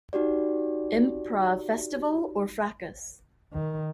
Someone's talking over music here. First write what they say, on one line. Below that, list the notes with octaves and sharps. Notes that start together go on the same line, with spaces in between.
Improv Festival", or "Fracas!
D#4 F#4 G4 D5
D#3